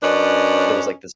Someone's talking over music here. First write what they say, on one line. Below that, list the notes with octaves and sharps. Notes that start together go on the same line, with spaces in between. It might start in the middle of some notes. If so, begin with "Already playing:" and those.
It was like this
F#2 C#4 D4 B4 D#5